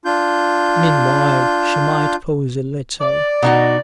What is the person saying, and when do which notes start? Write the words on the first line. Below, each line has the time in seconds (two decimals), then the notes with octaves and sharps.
Meanwhile she might pause a little.
0.05 D4 F4 G6
3.01 D5
3.43 B2 D#4 F#4